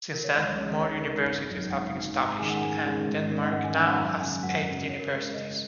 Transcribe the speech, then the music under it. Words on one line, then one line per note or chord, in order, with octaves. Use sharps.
Since then, more universities have been established, and Denmark now has eight universities.
A#4
C#5
C#2 D#5
C#5
C#3 G#3 D#4 C#5
D#5
C#2 C#5
C#3 G#3 D#4 A#4
G#1 C#5
F#2 F#3 D#4
G#1 F#5
F#2 F#3 D#4
G#2 G#5
A#5
D#3 G#3 C#4 G#4 G#5
F#5
G#2 G#5
D#3 G#3 C#4 G#4
G#2
D#3 A#3 C#4
D#5
G#2 F#5
G#5
D#3 A#3 C#4 G#5
F#5
F#2 A#5
C#3 F#3 G#5
F#2 F#5
C#3 F#3
C#3 C#5
A#4
G#3 C#4 A#4
C#3 D#5